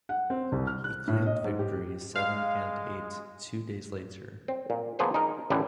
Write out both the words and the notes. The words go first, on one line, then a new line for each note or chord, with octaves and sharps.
He claimed victories seven and eight two days later.
F#5
C4
C2
F6
F#6
A2
D#5
G#2
G4
G#3 F5
C4
A#2
F3 A#3 B3 G#4 B4 C5
D#4 G#4 A#4
A1 D3 G4 B4 G#5